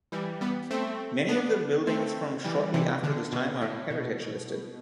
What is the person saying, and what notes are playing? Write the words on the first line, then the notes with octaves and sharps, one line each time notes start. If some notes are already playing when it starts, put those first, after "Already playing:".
Many of the buildings from shortly after this time are heritage listed.
E3 G3
G3 B3
A3 C4
B3 D4
A3 C4
E3 G3
C3 E3
D3
B2
A2
B2